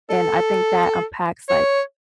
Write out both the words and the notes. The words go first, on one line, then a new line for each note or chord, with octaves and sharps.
And I think that unpacks, like,
A4
C#5